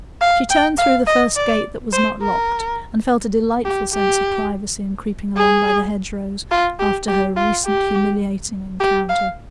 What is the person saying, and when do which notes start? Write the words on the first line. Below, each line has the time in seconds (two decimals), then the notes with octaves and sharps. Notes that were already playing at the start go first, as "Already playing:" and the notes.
She turned through the first gate that was not locked, and felt a delightful sense of privacy in creeping along by the hedgerows, after her recent humiliating encounter.
0.21 F5
0.50 G5
0.78 F5
1.07 D#5
1.36 D5
1.93 C5
2.22 A#4
3.65 G4
3.94 G4
5.37 G#4
6.52 F4
6.80 G4
7.08 G4
7.37 F4
7.65 G4
8.80 G4
9.09 F5